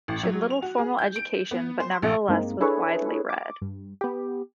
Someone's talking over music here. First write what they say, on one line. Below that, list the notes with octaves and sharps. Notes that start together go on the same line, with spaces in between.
She had little formal education, but nevertheless was widely read.
A1
F#3
F7
F#4
G#4
G6
D7
B3
C5
A#1
G2 G#3 A#3 C4 D#4
D4 E4 G#4 A4 B4 C#5
D6
G2
B3 G4